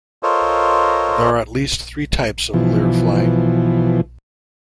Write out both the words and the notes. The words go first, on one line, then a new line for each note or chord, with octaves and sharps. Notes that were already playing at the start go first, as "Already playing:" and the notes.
There are at least three types of lure-flying.
F4 A4 A#4 C5 C#5 D#5
B2 E3 F3